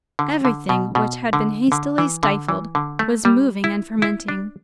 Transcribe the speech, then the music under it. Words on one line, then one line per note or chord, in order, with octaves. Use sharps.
Everything which had been hastily stifled was moving and fermenting.
D3
D3
B2
B2
D3
D3
E3
D3
E3
D3
A3
G3
E4
E4
D4